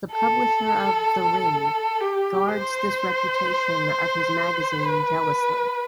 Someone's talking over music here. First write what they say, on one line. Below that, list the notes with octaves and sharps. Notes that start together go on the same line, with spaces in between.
The publisher of "The Ring" guards this reputation of his magazine jealously.
A4
G4
C5
B4